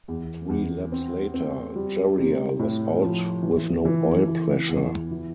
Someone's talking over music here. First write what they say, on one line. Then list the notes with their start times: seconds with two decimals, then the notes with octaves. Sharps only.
Three laps later, Jarier was out with no oil pressure.
0.08 E2
0.49 E2
0.92 C4
1.34 C4
1.76 G3
2.18 C3
2.59 A2
3.02 F3
3.43 E3
3.85 E3
4.28 E3
4.69 E2
5.11 E3